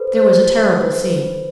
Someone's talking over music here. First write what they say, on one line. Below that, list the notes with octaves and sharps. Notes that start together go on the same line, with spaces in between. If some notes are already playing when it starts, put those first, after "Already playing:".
There was a terrible scene.
Already playing: A4 B4 C5
C5
B4
B4